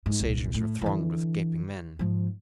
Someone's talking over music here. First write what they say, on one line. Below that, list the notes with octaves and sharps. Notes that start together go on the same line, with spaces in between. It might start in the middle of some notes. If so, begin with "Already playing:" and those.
The stagings were thronged with gaping men.
G#2
D#1 C2
A2
D3 E3
G#2 F3